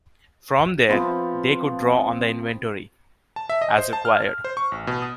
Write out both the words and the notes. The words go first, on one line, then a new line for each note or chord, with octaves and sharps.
From there, they could draw on the inventory, as required.
F3 B3 C4
A5
E5
D#5
C5
A5
F6
F6
C5
C#6
A1
B2
D#6